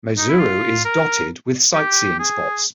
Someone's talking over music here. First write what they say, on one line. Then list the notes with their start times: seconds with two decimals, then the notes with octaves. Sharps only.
Maizuru is dotted with sightseeing spots.
0.18 D#4
0.29 E4
0.40 F4
0.85 A#4
1.74 G4
2.20 G#4